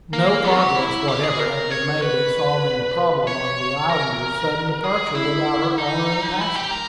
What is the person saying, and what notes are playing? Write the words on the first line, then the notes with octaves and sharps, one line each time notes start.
No progress whatever had been made in solving the problem of the Islander's sudden departure without her owner and passengers.
A#3
B3
G4
E4
G4
G#4
A#4
C#5
B4
C#5
A#4
G#4
E4
D#4
E4
G4
A#4